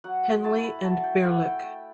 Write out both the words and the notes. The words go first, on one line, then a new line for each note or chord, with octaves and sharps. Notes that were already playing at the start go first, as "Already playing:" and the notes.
Henley, and Birlec.
F#3 F#5
F#5
A3 E4 A5
B5
F#3 A5
G5
A3 E4 F#5
G5
A3 G5